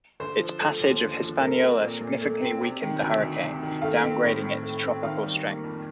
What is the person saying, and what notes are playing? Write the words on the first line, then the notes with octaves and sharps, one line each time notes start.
Its passage of Hispaniola significantly weakened the hurricane, downgrading it to tropical strength.
D3 C5
F3
A3
D#2
D3
F3
A3 A#4
C4
A#2
A#2
A3
C4
C3
D#3
D2
D2
C3
D#3
A3 F5
C4
A2
A2
A3
C4
D#3 F5
G3
A#3
F2